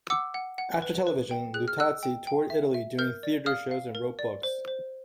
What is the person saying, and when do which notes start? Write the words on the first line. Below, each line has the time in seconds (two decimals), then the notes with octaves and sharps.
After television, Luttazzi toured Italy doing theatre shows and wrote books.
0.10 F#5 D6 E6
0.34 F#5
0.58 F#5
0.82 B4
1.07 B4
1.31 G5
1.54 G#4 F#6
1.68 F6
1.78 D#5 E6 F#6
2.03 G5
2.27 G5
2.50 E5
2.74 E5
2.99 A#4 F6 G6
3.23 D5
3.46 F5 D#6 F6
3.71 F5
3.95 A#4
4.19 D5
4.43 C5
4.68 C5